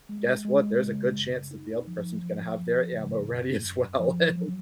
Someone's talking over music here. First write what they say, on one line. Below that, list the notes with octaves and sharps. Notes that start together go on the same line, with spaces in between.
guess what? There's a good chance that the other person's gonna have their ammo ready as well, and
G#3
G#3
C#3
F#2
D#4
F3
F3
F3
C#3
F#2
F#2
F3
F#3